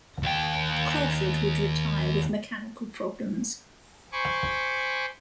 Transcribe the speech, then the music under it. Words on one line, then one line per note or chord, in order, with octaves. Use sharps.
Crawford would retire with mechanical problems.
D#2 G5
C5 G#5 B5 C#6 D6